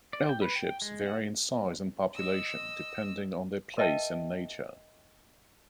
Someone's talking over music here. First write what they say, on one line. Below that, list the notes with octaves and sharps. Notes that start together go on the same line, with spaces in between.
Elderships vary in size and population depending on their place and nature.
D5
G5
B4
G5
G#3
F#5
D#5 E6
A#4 B4 D#5 E5 G5 A5